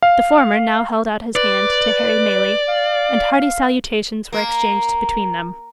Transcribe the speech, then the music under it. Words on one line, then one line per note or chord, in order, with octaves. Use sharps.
The former now held out his hand to Harry Maylie; and hearty salutations were exchanged between them.
F5
B4 D5
F5
A#3